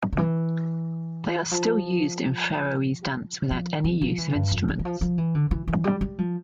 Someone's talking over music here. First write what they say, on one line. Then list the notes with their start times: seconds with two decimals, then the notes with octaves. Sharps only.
They are still used in Faroese dance without any use of instruments.
0.13 D3
0.18 E3
1.51 F3
3.51 F3
3.84 F3
4.01 F3
4.18 E3
4.35 G2
4.52 F2
4.68 E3
4.79 E3
4.85 F3
5.01 F3
5.18 E3
5.35 D3
5.51 E3
5.68 E3
5.84 G3
6.01 G3
6.18 F3